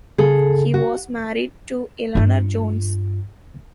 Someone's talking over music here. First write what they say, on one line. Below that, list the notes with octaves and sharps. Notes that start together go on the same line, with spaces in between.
He was married to Eleanor Jones.
C#3 G#4 A4
F#4
G2 F4